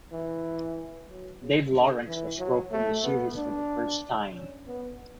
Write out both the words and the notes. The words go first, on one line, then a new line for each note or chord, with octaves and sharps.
Dave Lawrence was roped in the series for the first time.
E3
F#3
C#3
D3
E3
F#3
A3
B3
D4
C#4
B3